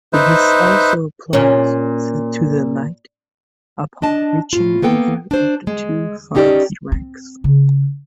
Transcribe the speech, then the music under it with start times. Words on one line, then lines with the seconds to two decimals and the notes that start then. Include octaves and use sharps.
This also applies to the knight upon reaching either of the two farthest ranks.
0.13 D#4 B4 C5 E5
1.33 A#2 C#4
4.02 D4 D#5 A5
4.53 A2 F4
4.82 A#3 B3 A4 G5
5.31 D4 C5
5.67 G#3
6.35 C#4 D#4 G4 A4 D5
6.92 C4
7.44 C#3